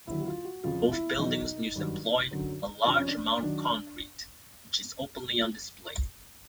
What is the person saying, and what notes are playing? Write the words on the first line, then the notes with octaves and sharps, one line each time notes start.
Both buildings use employed a large amount of concrete, which is openly on display.
D#2 D3 F#3 E4
F#4
F4
F#4
F2 C#3 F3 F4
E4
E2 B2 F#3 D#4
G2 D#3 F#3
F#2 D3 F#3
F2 C3 F3 D4
C#4
D4
D#3 F#3 D4